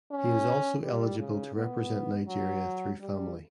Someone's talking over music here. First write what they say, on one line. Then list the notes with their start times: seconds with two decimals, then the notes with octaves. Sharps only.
He is also eligible to represent Nigeria through family.
0.11 C#4
0.83 G3
1.19 C#3
1.55 B3
2.28 F#3
3.00 G3